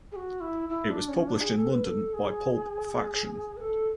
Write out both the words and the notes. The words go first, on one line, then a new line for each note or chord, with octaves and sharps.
It was published in London by Pulp Faction.
G#4
F#4
E4
E4
D4
C#4
D4
G#4
A4
B4
A4
G#4
B4
A4